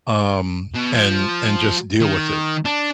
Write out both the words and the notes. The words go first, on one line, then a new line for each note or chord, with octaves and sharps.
um, and and just deal with it.
B2
F3
D#3
D4